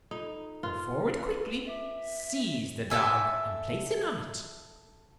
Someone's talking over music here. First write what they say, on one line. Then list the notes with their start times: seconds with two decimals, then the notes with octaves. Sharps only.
Go forward quickly, seize the dog and place him on it.
0.11 D#4 F4 A4 D#6
0.63 F4 A#4 C5 D#5
1.16 B4 C5 F5
1.65 D#5 E5 D6
2.90 A4 E5 G#5